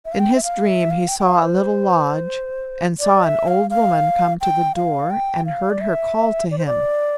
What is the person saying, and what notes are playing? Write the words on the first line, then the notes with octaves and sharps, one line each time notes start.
In his dream he saw a little lodge, and saw an old woman come to the door and heard her call to him.
E5
F5
G5
E5
F5
E5
F5
G5
G5
F5
C5
D5
E5
F5
F5
G5
F5
G5
F5
D5
E5
D5
C5
D5